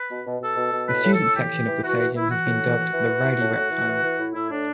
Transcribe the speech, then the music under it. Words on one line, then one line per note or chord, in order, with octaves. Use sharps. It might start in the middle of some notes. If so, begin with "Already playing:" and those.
The student section of the stadium has been dubbed the Rowdy Reptiles.
Already playing: B4
B2
B2
B2 A4
B2
B2
A2 B4
A2
A4
A2
E3 G4
E3
E3
E3 F#4
E3
E3 E4
E3 F#4
A2
E3
E3
E3
E3
E3
A2
A2
E3
E3
E3
A2 E4
A2 E4
A2 D4